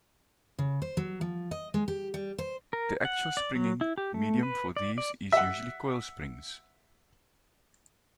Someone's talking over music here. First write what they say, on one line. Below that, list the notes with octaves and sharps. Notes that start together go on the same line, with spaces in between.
The actual springing medium for these is usually coil springs.
C#3
C5
F#3
F3
D#5
G#3
G4
G3
C5
A#4
F#5
D5
F#3
E4
G4
A3
B4
D5
D5
E5 F#5